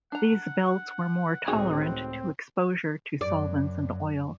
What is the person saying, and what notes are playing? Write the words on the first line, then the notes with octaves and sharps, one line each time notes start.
These belts were more tolerant to exposure to solvents and oil.
D4 F#5 A#5
C#2 A2 D#3 C4 F#4 G#4 F#5
F#2 D5